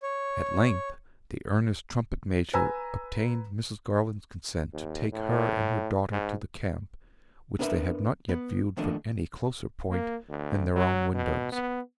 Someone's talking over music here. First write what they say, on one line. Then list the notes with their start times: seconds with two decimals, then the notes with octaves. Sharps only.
At length the earnest trumpet-major obtained Mrs. Garland's consent to take her and her daughter to the camp, which they had not yet viewed from any closer point than their own windows.
0.03 C#5
2.54 B4 G#5 A#5 E6
4.73 D#2
5.13 A2
6.12 G#2
7.59 B3 D4 A#4 B4 E5
8.29 B3
8.77 D#3 F3 A3 A#3 D4 D#5
9.90 A#3
10.29 D2
10.76 F#3
11.14 B2
11.52 B3